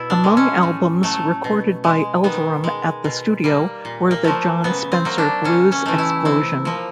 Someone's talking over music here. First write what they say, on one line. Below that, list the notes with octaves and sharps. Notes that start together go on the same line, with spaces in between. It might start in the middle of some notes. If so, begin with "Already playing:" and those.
Among albums recorded by Elverum at the studio were the Jon Spencer Blues Explosion.
Already playing: B2 E4
D4
G#3
C#4
A2
F#3 A3
B2
G#3
D#3 B3
G#3
B2
G3 A#3
A#2
A#3
F3 A3
C#3 B3
C4
F#3 A#3
D4
C#3 C#4
C#4
E3 A3
E4
C3 E4
F3 A#3